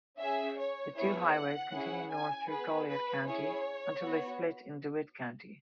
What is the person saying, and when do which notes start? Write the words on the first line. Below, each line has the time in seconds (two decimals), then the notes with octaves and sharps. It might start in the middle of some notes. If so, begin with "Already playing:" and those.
The two highways continue north through Goliad County until they split in DeWitt County.
0.20 C#4 G#4 E5
0.58 C#5
0.96 B3 E4 G#4 C#5
1.34 F#5
1.73 C#4 E4 G#4
2.11 G#5
2.50 B3 G#4 B4
2.88 B4
3.26 C#4 E4 G#4 C#5
4.03 B3 F#4